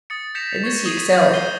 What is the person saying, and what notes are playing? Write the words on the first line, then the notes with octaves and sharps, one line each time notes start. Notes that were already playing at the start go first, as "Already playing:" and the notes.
In this he excelled.
D#6 A6 C#7
G6 A#6 B6 C#7 E7 F7
C#6 G#6
D#6 G#6 C7 D#7 F7
D#6 G6 D#7
G6 C7 D#7 G7